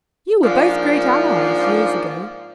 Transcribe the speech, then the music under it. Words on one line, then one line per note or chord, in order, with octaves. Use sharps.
You were both great allies, years ago.'
G#2 F3 A#3 D4